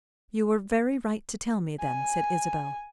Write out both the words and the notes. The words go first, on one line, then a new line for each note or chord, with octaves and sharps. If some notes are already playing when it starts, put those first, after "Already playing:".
"You were very right to tell me then," said Isabel.
G#5